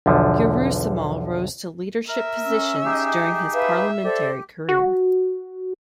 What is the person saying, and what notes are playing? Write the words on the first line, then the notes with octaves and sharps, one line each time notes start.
Urusemal rose to leadership positions during his parliamentary career.
B1 E2 D3 F3
A#4 E5
C#4 E6
D#4 G4 G#4
B4 E5 F5
G4 A4 C5 D5
F#4